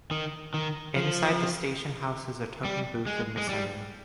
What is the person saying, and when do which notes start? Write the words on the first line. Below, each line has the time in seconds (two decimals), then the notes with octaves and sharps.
Inside the station house is a token booth in the center.
0.11 D#3
0.54 D#3
0.96 F3
2.65 G3
3.07 G#3
3.37 G#3
3.49 G3